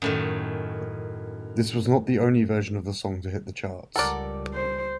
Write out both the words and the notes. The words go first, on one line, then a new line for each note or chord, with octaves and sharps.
This was not the only version of the song to hit the charts.
F#2 A2 D#3
C#2 G3 A4 A#4 D5 F#5
C5